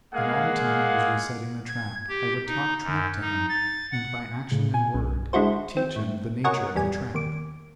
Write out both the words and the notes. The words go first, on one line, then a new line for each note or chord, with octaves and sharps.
Then all the time I was resetting the trap I would talk trap to him, and by action and word teach him the nature of the trap.
G#3 A#3 G#4 F5 F#5
G#6
G4
D#4
F#2
D#4
A6
F#5
A2 C#3
A#2 G#5
B1 C#3
D3 G#3 E4 F#4 C5
C4
A2
F#4 A#4 C#5 D#5 F#5 G#5
E2 G3 G#5
D#2 D6